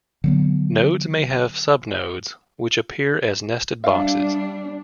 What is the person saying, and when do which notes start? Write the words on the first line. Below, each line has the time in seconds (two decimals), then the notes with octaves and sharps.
Nodes may have subnodes, which appear as nested boxes.
0.24 D3 F#3 B3
3.84 G3 D4 E5 F5